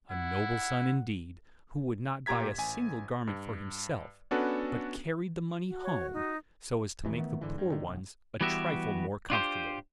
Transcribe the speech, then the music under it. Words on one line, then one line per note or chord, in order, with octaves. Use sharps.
A noble son indeed, who would not buy a single garment for himself, but carried the money home, so as to make the poor ones a trifle more comfortable!
E4 F#5
A#2 G4 A#5 G#6 B6
A1 G#5
G2
B3 C#4 D4 F#4 A4 B4
F#4
C#5
D#4
D1 D#2 E3
D#3 E3 A3 B3
G#2 D3 E3
G2
D3 D#3
E1
E3 G3 B3 F#4 G4 E5
D4 F4 G4 C5